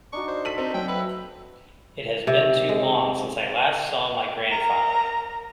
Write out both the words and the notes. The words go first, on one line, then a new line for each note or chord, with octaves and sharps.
It has been too long since I last saw my grandfather.
D4 D#4 F#4 C#6
C5
A4 B6 D#7 F#7
C4 D#4
F#3 G5
B4 E5
C3
G#3
A#4 A#5